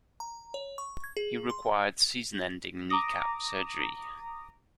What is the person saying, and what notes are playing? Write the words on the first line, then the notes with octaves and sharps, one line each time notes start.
He required season-ending kneecap surgery.
A#5
C#5
C#6
G#6
G#4
C6
A#5 D6 D#6 A#6